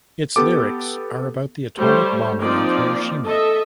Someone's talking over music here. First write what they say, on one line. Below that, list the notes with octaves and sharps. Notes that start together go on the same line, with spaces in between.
Its lyrics are about the atomic bombing of Hiroshima.
B3 G4 A4 D6
G3 A3 C5 C#5
F3 A#3 C4 D#4 D5
A4 D#5 E5